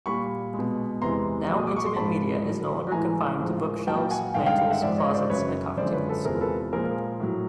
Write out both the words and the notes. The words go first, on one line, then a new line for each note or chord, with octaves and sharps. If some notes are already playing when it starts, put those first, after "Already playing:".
Now intimate media is no longer confined to bookshelves, mantles, closets, and coffee tables.
A#2 G3 B5 C#6
G#3
B2
E2 C3 E3 G#3 A#5 C6
A#2 F#3
D#6
D6
C#6
C6
G#2 F3 G#3 A5 B5
A2 F#3
A2 E3 G#3 G#5 A#5
A2 F3 G#3
A#2 F#3 G5 A5
F#5 G#5
G2 D#3 G#3 F5 G5
F5 G5
F5 G5
E5 F#5
G#2 F3 G#3 D5 E5
C#5 D#5
C5 D5
F#2 C#3 F#3 B4 C#5
F#2 D3 F3 G#3 C5 D5
B4 C#5
A4 B4
E2 C3 F3 G#3 G#4 A#4
A4 B4
A#2 F3 G#3 G#4 A#4
A2 F#3